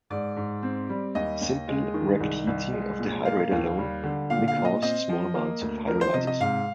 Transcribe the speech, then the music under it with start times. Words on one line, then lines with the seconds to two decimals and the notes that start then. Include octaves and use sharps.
Simple rapid heating of the hydrate alone may cause small amounts of hydrolysis.
0.10 G#2 D5
0.36 G#2
0.63 C4
0.89 G3
1.15 D#2 D#5
1.41 D#2
1.68 G#3
1.94 D#3
2.20 C2
2.47 C2
2.72 G#3
2.99 A#2
3.25 A#3 F5
3.51 D#2
3.78 G3
4.03 D3
4.30 A#2 F5
4.48 F5
4.56 A#2
4.65 D#5
4.82 C4 D#5
5.09 F3
5.35 A#3
5.61 D2
5.87 F3 A#4
6.01 C5
6.14 C3 D#5
6.27 D#5
6.40 G#2 F5